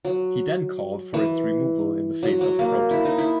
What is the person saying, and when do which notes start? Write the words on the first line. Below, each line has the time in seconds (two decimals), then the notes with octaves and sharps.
He then called for its removal in the face of protests.
0.05 F#3
1.14 E3
2.23 F#3
2.41 F#3
2.59 A#3
2.91 E4
3.05 D#4
3.18 E4